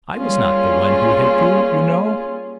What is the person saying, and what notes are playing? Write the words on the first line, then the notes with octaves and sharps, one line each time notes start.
I was not the one who hit you, you know.
G3 A#3 C#4 F4 G#4